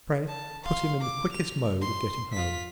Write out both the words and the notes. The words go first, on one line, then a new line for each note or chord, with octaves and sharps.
Pray, put him in the quickest mode of getting home.
A5
F5 C6
D6
F7
C6
F4 B6